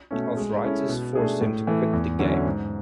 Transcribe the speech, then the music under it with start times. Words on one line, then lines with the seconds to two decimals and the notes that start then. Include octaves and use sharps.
Arthritis forced him to quit the game.
0.11 B2 A3 C#4
0.37 G#3
0.63 C#4 E4 A4
0.89 B2
1.15 A3 D4 G#4
1.41 A2
1.67 E3 A3
1.93 E2
2.19 D3 F#3 C#4 E4
2.46 G#2